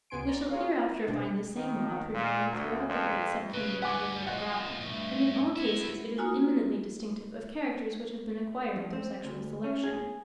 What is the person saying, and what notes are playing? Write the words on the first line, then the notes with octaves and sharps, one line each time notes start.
We shall hereafter find the same law prevailing throughout the great sub-kingdom of the Vertebrata; and in all cases it is eminently distinctive of characters which have been acquired through sexual selection.
C#2 C3 B3 G#5 C6 D7
D5 A#5
F4 F#4 G#4 A#4 C#5 F5
E4
B2 C4 D4
D#3
A#2
D2
F2
C#3 B4
D2 B3 F#5 G#5 D6
C2 F3 D#5 F#5
C2 G2 A3
B3 E4 E5
A#3 D#4 F4 F#4 G#5
F2
C4
D2
C#4
G#4